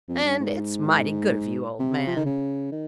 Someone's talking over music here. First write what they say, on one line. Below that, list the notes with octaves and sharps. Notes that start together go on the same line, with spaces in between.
And it's mighty good of you, old man.
F2
G2
G#2
C3
F3
D#3
C#3
D#3